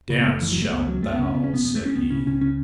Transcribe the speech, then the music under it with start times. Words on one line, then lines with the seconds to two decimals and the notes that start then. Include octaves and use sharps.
"Dance shalt thou!" said he.
0.10 C#3
0.21 B3
0.25 F#1 A3
0.41 F#1 E3
0.52 F#3
0.56 E2
0.62 A3
0.71 C#2 B3
0.87 C#3 F#3
1.02 C#2 A3
1.13 B3
1.18 C#3 C#4
1.34 C#3 B3
1.44 C#4
1.49 E1
1.54 B3
1.65 E1 B3
1.76 A3
1.81 E2 C#4
1.95 C#2 B3
2.10 C#3 C#4
2.26 C#2 C#4
2.41 C#3 C#4